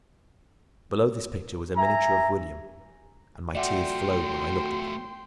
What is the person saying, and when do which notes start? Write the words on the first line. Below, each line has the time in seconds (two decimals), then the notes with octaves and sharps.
Below this picture was a miniature of William; and my tears flowed when I looked upon it.
1.77 E5 G#5 A#5
3.55 A3 F4 F#4 D5 E5 F#5 G5 C6